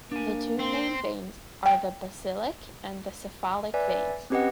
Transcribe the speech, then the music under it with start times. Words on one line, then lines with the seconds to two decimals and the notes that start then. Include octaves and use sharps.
The two main veins are the basilic and the cephalic veins.
0.12 A#3 D4 G#5
0.59 C4 C6
1.66 G5
3.74 B4 D5 E5 G#5
4.30 C4 C#4 G4 B4 D#5 F#5